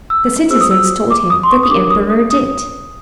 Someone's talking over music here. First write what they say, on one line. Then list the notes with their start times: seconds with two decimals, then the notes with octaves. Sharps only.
The citizens told him that the emperor did.
0.10 E6
0.50 F4 G#4 C5 E6
0.61 D#6
0.71 E6
1.11 D6
1.30 D#6
1.43 C6
1.50 C#6
1.63 D#6
1.70 D4 G4 A#4 C#5 D6
1.90 D#6
2.10 D#6
2.31 D#6